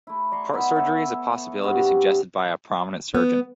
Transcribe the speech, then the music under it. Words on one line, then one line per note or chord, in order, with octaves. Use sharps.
Heart surgery is a possibility suggested by a prominent surgeon.
A3 E4
D5 A#5 C6 C#6
B3 D#4 E4 B5
A4 C#5 E5
G2 C3 F#4
B3